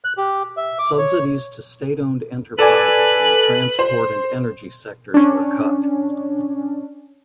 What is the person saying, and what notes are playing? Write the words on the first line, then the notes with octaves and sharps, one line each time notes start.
Subsidies to state-owned enterprises in the transport and energy sectors were cut.
F#6
G4
E5
D6
C#5
A4 B4 D5 G#5
C5
C#4 D4